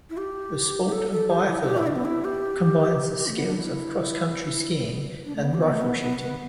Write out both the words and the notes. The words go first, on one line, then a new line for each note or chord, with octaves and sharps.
The sport of biathlon combines the skills of cross-country skiing and rifle shooting.
E4
G4
G4
A4
A4
G4
E4
E4
G4
E4
D4
B3
E4
G4
G4
A3
B3
D4
E4
D4
A3
B3
G4
B3
A3
B3
B3
B3